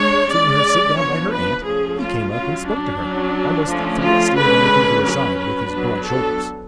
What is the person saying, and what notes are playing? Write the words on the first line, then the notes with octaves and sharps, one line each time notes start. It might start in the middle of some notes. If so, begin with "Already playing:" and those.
Seeing her sit down by her aunt, he came up and spoke to her, almost thrusting Vancouver aside with his broad shoulders.
Already playing: G#3 D4 C#5
G#3 C#4 D5
F3 B3 D4 C#5
B4
F3 A3 C#4 G#4
F4
F#3 C#4 F4
D4
F#3 C#4
F3 A3 C#4
F4
D3 G#3 C#4 B4
F#3 C#4 B4
B4
F#3 B3 D4
A4